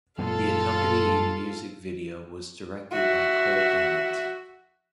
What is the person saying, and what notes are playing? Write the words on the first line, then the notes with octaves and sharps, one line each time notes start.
The accompanying music video was directed by Cole Bennett.
F#2 A#2 B3 F4 A4 F5
F#4 E5